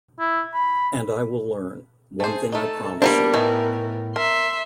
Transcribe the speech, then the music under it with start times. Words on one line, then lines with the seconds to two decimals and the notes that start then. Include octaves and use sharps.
And I will learn — One thing I promise you.
0.19 E4
0.54 B5
2.20 A3 G#4 C5
2.52 A3 D#4 A4
3.02 G3 A#3 B3 D4 A#4 C5
3.33 A2 E3 A3 D#4
4.16 A#4 E5 C6